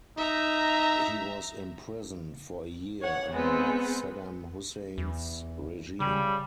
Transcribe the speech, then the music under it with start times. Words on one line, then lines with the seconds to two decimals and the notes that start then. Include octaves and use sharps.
He was imprisoned for a year under Saddam Hussein's regime.
0.18 D#4 E5 A#5
3.00 C#5 F#5
3.31 G#3 B3 C4
4.98 E2
6.00 C#3 G3